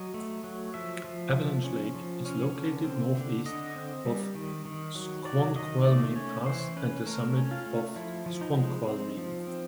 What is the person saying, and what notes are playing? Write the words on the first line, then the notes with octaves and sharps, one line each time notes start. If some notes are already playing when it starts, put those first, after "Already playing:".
Avalanche Lake is located northeast of Snoqualmie Pass and The Summit at Snoqualmie.
Already playing: F#3 D#5
A3
F#3
F3 E5
F3
F3
C#4
F3
C#4
D3
C4
D3
D3 D#5
C4
G3
D#3
D#3
F#3
F#3 D5
D#3 D#5
A3 D5
C#4 C#5
E3 C5
C#4 B4
A3 A#4
C#4
F4
A3
F3 E4
F3
D#4
G#3
C4
F3
C4